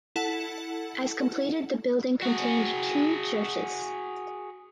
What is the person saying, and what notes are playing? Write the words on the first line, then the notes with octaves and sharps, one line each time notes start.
As completed the building contained two churches.
E4 A4 F#5 A5
F#4 G#4